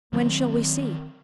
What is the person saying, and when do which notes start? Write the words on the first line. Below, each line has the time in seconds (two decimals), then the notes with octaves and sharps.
"When shall we see?"
0.13 D#3 F#3 A#3 C4